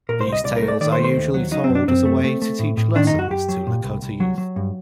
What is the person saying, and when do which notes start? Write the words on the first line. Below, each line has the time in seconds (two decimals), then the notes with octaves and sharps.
These tales are usually told as a way to teach lessons to Lakota youth.
0.09 A#2 A#4
0.21 C5
0.27 C2
0.33 D#5
0.45 C2 D5
0.57 A#4
0.62 A3
0.68 D5
0.81 D#3 D5
0.92 C5
0.99 A3
1.04 C5
1.16 D#2
1.34 F#3
1.51 F#3 D#4
1.64 C4
1.69 F#2
1.75 D4
1.88 F#2 C4
2.05 A3
2.24 A3
2.42 A3
2.59 A2
2.77 A2
2.95 D#3 D4
3.07 D#4
3.13 F#2
3.19 F#4
3.30 F#2 G4
3.49 F#3
3.67 A#2
3.84 C2
4.02 C2
4.20 F#3
4.38 F#3
4.56 G2